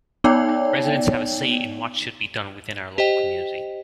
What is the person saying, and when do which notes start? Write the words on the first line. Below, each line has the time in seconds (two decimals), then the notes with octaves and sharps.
Residents have a say in what should be done within our local community.
0.24 B3 D#4 C#5 D5 G5
2.98 G4 C5 D#5 G5